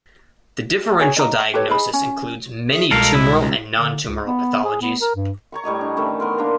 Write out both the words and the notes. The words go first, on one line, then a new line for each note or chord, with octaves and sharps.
The differential diagnosis includes many tumoral and nontumoral pathologies.
D#4 F#4 G#4 C#5
D#5 A#5
G4 A4 B4 C#5
G#4 D#5 B5
C#4
G#4 E5
C2 B2 G#3 A4 A#4 F5
E4
C#2
D3
C#2
B3
G#4
B3
A#4
G2
C#5 A#5 C#6
A2 G3 D#5 A#5
D4
D#3 E3 A3 C#4
B3 A#4 C6
A#3 D4 C5 A#5